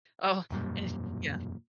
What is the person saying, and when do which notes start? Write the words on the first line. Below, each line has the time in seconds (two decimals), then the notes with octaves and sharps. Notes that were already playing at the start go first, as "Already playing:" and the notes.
Oh, eh, yeah.
0.51 E1 F#2 A#2 G3